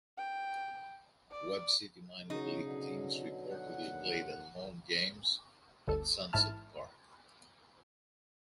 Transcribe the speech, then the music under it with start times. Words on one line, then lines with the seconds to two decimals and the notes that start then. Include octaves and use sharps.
Webb City minor league teams reportedly played at home games at Sunset Park.
0.18 G5
1.31 D5
2.30 C#3 F#3 D#4 F#4 G#4
2.62 B2 D3 F#3
3.52 F#5
3.89 D#2
5.87 G1 D2 A4
6.33 A1 G#2 E4 A5 F6